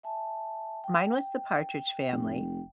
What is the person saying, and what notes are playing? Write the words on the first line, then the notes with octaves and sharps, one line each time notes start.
Mine was The Partridge Family.
E5 G#5 A5
G5
F1